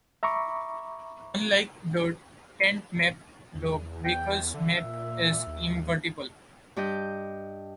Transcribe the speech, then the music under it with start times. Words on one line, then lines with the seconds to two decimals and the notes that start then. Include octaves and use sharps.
Unlike the tent map, the baker's map is invertible.
0.23 E5 A#5 B5 C#6 D6
3.54 E2
4.05 G5
4.54 D3 E5
4.84 A#2
5.47 D#2
6.76 G2 G4 D#5 G6